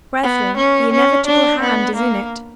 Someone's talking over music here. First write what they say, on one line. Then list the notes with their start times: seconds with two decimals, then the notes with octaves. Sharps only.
Brethren, the inevitable hand is in it.
0.23 B3
0.57 C#4
0.92 C#4
1.26 D4
1.61 B3
1.96 A#3